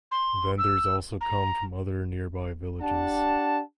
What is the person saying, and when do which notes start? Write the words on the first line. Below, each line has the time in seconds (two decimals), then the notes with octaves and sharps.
Vendors also come from other nearby villages.
0.11 C6
0.58 E6
1.21 A#5
2.82 D4 G4 F#5 A5